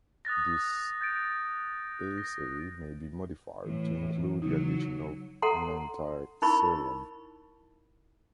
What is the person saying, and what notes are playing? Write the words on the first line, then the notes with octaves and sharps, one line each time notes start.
This assay may be modified to include the addition of an antiserum.
D#6 F#6 A6 A#6
G6 A6 D7
A#6
A2 E3
C#3 F#3 D#4
A4 F#5 A#5 C6
D#4 E4 A#4 B5 C#6